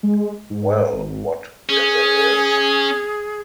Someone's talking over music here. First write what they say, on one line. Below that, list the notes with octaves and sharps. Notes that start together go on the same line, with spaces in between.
Well, what if it is?
G#3
G#2
G#1
C#4 G#4